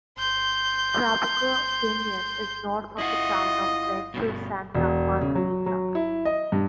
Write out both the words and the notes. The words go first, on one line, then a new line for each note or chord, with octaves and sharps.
Trabuco Canyon is north of the town of Rancho Santa Margarita.
C6 G6
E4 F4 D#5 F#5
G2 B2
E1
C#3
F#3
F#3
E4
D#5
G2